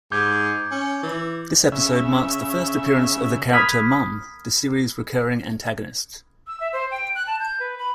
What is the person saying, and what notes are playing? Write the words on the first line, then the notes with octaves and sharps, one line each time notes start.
This episode marks the first appearance of the character Mom, the series' recurring antagonist.
G#2 D6 G6 G#6
C#4
E3
C#3 E5
B5 D#6 F6 F#6 G#6 B6
E6
E5
C5
G5
F#6
A5
G6
B4
B5